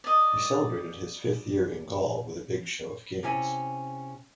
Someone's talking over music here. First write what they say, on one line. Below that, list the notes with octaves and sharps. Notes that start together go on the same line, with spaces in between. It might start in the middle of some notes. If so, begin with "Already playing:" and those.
He celebrated his fifth year in Gaul with a big show of games.
D5 D#5
C3 C#4 E4 G#5